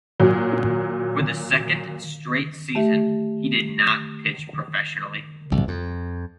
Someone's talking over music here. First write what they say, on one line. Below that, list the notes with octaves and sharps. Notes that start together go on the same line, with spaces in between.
For the second straight season, he did not pitch professionally.
A#2 F#3
A3 G4 E5
C2
F2